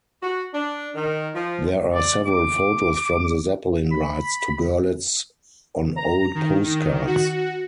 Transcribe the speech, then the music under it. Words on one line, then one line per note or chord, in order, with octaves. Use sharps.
There are several photos from the Zeppelin rides to Görlitz on old postcards.
F#4
D4
D#3
F3
D5
D6
B5
A#5
D#3
D#3
F#4